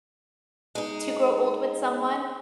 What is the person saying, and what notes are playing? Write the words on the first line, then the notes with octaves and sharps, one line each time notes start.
to grow old with someone,
G#3 D#4